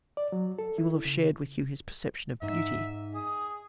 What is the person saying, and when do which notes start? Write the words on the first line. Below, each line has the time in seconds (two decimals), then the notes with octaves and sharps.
He will have shared with you his perception of beauty.
0.17 D5
0.32 F#3
0.59 A4
0.78 E4
1.05 C#3
2.42 G#2 D#4 E5
3.15 G#4 D#6